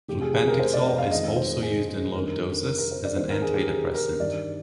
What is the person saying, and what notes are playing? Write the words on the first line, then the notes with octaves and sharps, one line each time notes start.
Flupentixol is also used in low doses as an antidepressant.
F1 F2 C3 G4
G#4
G#4
A#4
C5
D5
D#5
F5
F2 D#3 G#3 D#5
C5
G#4
G#4
F2 D#3 G3 D4 A#4
A#4
A#4
A#4
C5
D5
D#2 D#3 G3 C4 C5
A#4
G#4
G4
G#4
A#4
G2 D#3 G3 D5